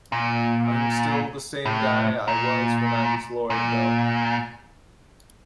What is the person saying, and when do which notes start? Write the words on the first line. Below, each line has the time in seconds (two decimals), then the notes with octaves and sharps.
I'm still the same guy I was when I was Lloyd, though.
0.12 A#2
1.65 A2
2.28 A#2
3.50 A#2